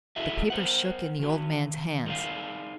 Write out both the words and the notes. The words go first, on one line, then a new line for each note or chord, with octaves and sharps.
The paper shook in the old man's hands.
E4 F#4 G#4 A4 D#5 E5
A#4 C5 F#5
D#3 F#4
D#4 G#4 A#4 D5 F5